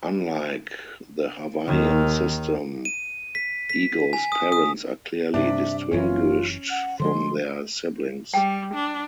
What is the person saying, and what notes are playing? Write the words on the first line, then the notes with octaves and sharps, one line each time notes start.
Unlike the Hawaiian system, Ego's parents are clearly distinguished from their siblings.
D#2 D#3
D#7
B6
B6
G#5
D#6
D#6
G2 C3 D4 E5
F#1 F#2 E3 C#4 F4
F#5
D3 F3 G#3 C6
G3 G5
D4